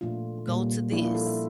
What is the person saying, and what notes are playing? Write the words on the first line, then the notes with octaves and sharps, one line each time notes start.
"Go to this,
A#2 F3 A3 D4 F4
A#2 G3 A#3
F3 A#3 D4 E4
F4
A4
E5